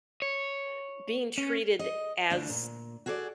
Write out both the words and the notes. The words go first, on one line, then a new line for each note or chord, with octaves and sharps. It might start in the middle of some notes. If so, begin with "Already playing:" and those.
eh, being treated as
C#5
C#4
D#5
D2 D4
A#2
F#4 G#4 A4 C#5 D5